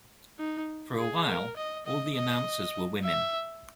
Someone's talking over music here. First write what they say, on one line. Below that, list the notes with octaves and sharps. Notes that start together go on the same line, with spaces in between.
For a while, all the announcers were women.
D#4
G#4
A#4
D#5
D#5
D#5
E5